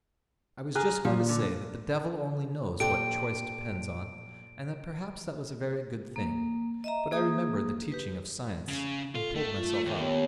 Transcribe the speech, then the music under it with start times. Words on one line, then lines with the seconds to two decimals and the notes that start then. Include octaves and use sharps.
I was just going to say that the devil only knows what choice depends on, and that perhaps that was a very good thing, but I remembered the teaching of science ... and pulled myself up.
0.75 G#4 A#5 F6 F#6
1.05 A#2 F3
1.29 D3
2.80 A#2 C4 D4 G4 A4 D7
6.16 A#3
6.84 D#5 E5 A#5
7.11 A#3 G#4 D#6
7.92 G4 B4
8.69 C#3
9.15 F4 A4
9.35 A3
9.57 F4
9.86 D#2
10.00 B3 G4 C#5